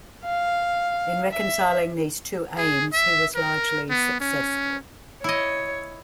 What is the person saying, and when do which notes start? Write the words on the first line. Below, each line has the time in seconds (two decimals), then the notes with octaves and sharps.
In reconciling these two aims he was largely successful.
0.24 F5
1.31 E5
2.58 G#4
2.93 E5
3.35 A#4
3.90 B3
4.20 C#4
5.24 E4 C#5 D#5